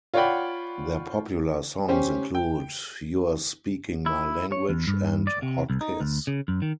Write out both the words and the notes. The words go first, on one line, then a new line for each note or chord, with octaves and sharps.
Their popular songs include "You're Speaking My Language" and "Hot Kiss".
F4 C#5 D5 F#5 G5 B5
C#4 G4 C5
G5
E4
C#5
E2
G2
D5
C3
C2
D#4
D2
C#3
F#2
D#3